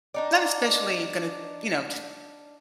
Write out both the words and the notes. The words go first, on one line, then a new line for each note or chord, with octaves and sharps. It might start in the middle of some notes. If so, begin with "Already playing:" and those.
not especially gonna, you know, t
D4 D#4 D5